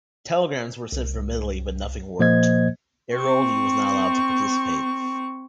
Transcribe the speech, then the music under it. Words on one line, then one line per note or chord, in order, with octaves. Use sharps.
Telegrams were sent from Italy but nothing worked: Airoldi was not allowed to participate.
C2
A#2 F3 A#3 C5 D#5 G#6
C4 C#6